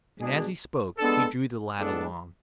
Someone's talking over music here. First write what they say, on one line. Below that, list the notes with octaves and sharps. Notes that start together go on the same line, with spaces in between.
And as he spoke he drew the lad along.
B2 G#3 D4 G#4
G#3 B3 D4 A4
A2 G#3 B3 D4 A4